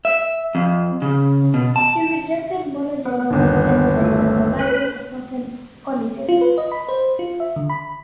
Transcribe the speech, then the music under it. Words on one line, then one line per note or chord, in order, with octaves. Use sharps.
He rejected Monogenesis, and claimed that the Bible supported Polygenisis.
E5
F2
C#3
B2
A5
B3
G1 D#2
A3
B4
F4
B4
D#5
B5
C5
F4
E5
D3
B5